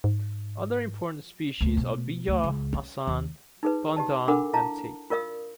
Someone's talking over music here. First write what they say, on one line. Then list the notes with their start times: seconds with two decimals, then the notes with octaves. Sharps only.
Other important species are bija, asan, bandhan and teak.
0.04 G#2
1.61 D2
1.77 B2
2.28 D2
2.44 C#2
2.74 C#4
3.07 D#2
3.63 D#4 G#4 B4
3.96 G4 D5 A5
4.28 D4 A4 A#4 F#5 B5 D6
4.54 E4 F5 A5 A#5
5.10 F4 A#4 D5 F5 D#6